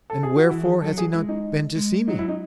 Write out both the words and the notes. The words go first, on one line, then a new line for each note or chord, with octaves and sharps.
"And wherefore has he not been to see me?"
A4
G#4
F#4
E3 E4
G#4
F#3 A4
G#4
G#3 E4
D#4
G#3
F#3 D#4
E4
D#4